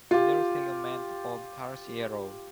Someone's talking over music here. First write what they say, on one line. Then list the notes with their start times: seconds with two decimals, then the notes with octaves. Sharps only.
Middle segment of tarsi yellow.
0.11 F4 G4